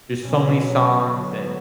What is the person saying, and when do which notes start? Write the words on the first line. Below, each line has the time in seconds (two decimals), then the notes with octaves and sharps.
there's so many songs, and
0.22 B2 F#3 C#4
1.05 D3 F#3 B3